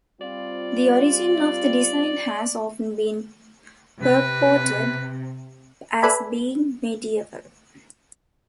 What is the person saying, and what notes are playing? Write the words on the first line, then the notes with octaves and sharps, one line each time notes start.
The origin of the design has often been purported as being medieval.
G3 C4 F4 D5
C3 B4
A4 B4 D5 E5 G#5 B5